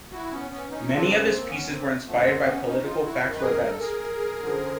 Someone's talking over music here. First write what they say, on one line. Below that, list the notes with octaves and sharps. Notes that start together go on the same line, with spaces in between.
Many of his pieces were inspired by political facts or events.
E4 F#4
B3 C#4
B3 C#4
C#4 D#4
F#2 C#3 F3 C4 D4
B3 C#4
A#3 C4
B3 C#4
A#3 C4
F#2 D3 F3 A3 B3
A#3 C4
B3 C#4
C#4 D#4
D#4 F4
E4 F#4
F#2 D#3
B4
G#4 A#4
A#4
A4
G#4 A#4
F#2 D3 F3